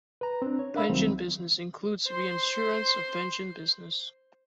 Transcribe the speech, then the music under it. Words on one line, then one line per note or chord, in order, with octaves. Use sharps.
Pension business includes reinsurance of pension business.
B4 A#5
C4 D4
C#5
D4 A#4 E5 F5 B5 E6
C2 D#3 F#3 G3 C4
C5 C6